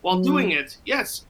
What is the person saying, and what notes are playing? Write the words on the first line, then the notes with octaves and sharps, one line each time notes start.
while doing it yes,
F#3